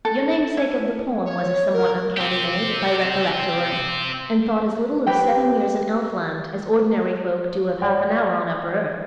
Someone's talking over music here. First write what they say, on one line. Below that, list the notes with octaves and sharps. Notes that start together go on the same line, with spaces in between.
Your namesake of the poem was a somewhat uncanny maid, if I recollect aright, and thought as little of seven years in elfland as ordinary folk do of half an hour on upper earth.
A4
E4
C#5
A#4
C4 G4
G4 B4 G5
G#4 C#5 D5 F#5 G5